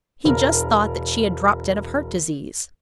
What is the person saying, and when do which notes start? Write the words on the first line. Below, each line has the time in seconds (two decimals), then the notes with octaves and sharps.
He just thought that she had dropped dead of heart disease.
0.25 E1 A#4